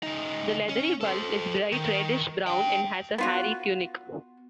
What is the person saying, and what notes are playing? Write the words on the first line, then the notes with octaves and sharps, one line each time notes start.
The leathery bulb is bright reddish-brown and has a hairy tunic.
C#3 D#4
C#4
A4 C5
D#3
D4 G5
B3 F4 F#4